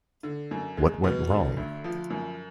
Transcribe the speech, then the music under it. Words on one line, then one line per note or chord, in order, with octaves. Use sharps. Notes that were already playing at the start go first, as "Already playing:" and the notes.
What Went Wrong?
D3
F#2
G#3
B2
D3
D2
F3
F#2